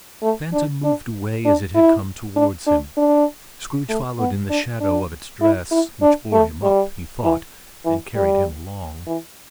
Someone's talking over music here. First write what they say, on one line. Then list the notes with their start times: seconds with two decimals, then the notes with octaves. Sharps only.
The Phantom moved away as it had come towards him. Scrooge followed in the shadow of its dress, which bore him up, he thought, and carried him along.
0.22 A3
0.53 D4
0.84 D4
1.45 D4
1.75 E4
2.36 D4
2.67 D4
2.97 D4
3.89 A3
4.19 B3
4.50 D4
4.80 D4
5.41 E4
5.71 E4
6.02 D4
6.33 A3
6.63 G3
7.24 E3
7.85 E3
8.16 G3
9.07 E3